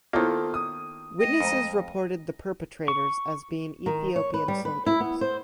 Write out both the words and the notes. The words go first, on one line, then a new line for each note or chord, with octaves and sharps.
Witnesses reported the perpetrators as being Ethiopian soldiers.
D#3 A#3 B3 E4 F4 A4 C5 C#5
D#6
A3 D#5 G5
F2 G#3 C5 A#5
C#6
D#3
C#5
B4
G3
B4
E4
B3
C5